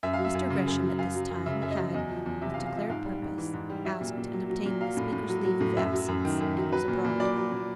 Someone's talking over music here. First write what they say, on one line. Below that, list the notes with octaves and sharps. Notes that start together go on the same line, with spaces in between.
Mr. Gresham at this time had, with declared purpose, asked and obtained the Speaker's leave of absence and was abroad.
F#2 E5
F5
F#3
E5
F#2
C#3
F#2
F#3
F#2 F5
F#3
F#2
C#3 E5
F#2 E5
D#5
F#3
E2 D#5
F3
E2
C3 E5
F5
E2
F5
F3 E5
G#2 F5
G3
G#2
E3
G#2
G3
F#3 E5
A#2
A#2
F#3
F#3
A#2
F#3 F5
A2
A2
F#3
F#3
A2
F#2 E5
F#3
F#2
D#3
F#2
F#3
F#3 B4
A#2
A#2
F#3 D5
F#3
A#2